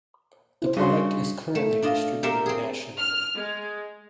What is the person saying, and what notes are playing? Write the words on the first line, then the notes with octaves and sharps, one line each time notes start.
The product is currently distributed nationally.
E4 C5
C#3 G3 D4 F#4 C6
A3
D4 F4 D#5
G4 A4 A#4 C5 E5
C4 G#4
F6
G#3